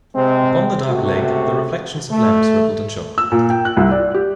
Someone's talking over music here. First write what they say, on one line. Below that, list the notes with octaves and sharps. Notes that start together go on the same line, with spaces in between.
Upon the dark lake the reflections of lamps rippled and shook.
C3 G#3 C4
C#2 C3 A3 F#4
A3
E6
A#2
G5
F#6
C2
D5
G4